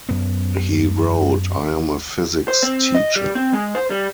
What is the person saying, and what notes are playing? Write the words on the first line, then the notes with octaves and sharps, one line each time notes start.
He wrote: I am a physics teacher.
F#2 B3
C5
C4
D#5
G3
C4
G#3
C5
G3